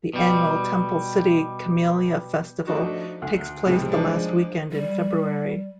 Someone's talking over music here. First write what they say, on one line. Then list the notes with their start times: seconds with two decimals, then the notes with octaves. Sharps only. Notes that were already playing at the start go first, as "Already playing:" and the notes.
The annual Temple City Camellia Festival takes place the last weekend in February.
0.13 B2 G3
2.67 F3 A3 D4 D#4 F#4
3.22 D2
3.66 C#2 A2 C3 F3 G3 G#3
3.92 F3 G#3 D4 D#4
4.72 G3